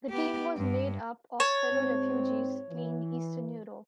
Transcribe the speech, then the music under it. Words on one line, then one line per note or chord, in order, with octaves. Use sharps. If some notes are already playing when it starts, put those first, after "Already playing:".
The team was made up of fellow refugees fleeing Eastern Europe.
B3 G4
G2
C#5 A5
G#2 C4
E3